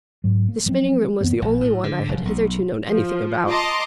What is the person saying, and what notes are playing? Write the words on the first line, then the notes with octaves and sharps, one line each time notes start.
The spinning-room was the only one I had hitherto known anything about.
G#2 F#3
A#3
F3 F#3 A3 C4
F#2 E3 B3 C4
A#1
A2
D3
F1
B1
F3
D#5 A5 A#5 C6 D6